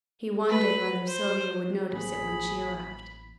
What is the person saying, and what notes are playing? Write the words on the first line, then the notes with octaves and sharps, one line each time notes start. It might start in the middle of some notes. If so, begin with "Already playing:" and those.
He wondered whether Sylvia would notice it when she arrived.
B4
C5
A1 E3 A#3 C4 G#4 B5